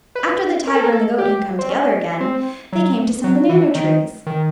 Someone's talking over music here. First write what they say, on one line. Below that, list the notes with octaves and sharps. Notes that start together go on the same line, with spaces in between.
After the tiger and the goat had come together again they came to some banana trees.
B4
A#4
A4
A#4
A4
G4
C4
C#4
C4
F#3
F#3
E3
D#3
D#3